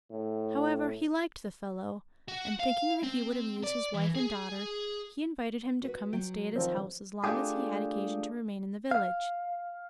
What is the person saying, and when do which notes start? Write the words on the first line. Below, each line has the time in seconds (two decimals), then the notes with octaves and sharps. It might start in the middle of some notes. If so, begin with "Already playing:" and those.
However, he liked the fellow; and thinking that he would amuse his wife and daughter, he invited him to come and stay at his house as long as he had occasion to remain in the village.
0.10 A2
2.28 F#4
2.60 F5
3.03 C4
3.64 D5
3.94 E3
4.15 G#4
5.83 F#4 B4
6.13 F#3 G5
6.56 D#3 F3 C4
7.24 A3 D4 F4 G4 G#4
8.91 F5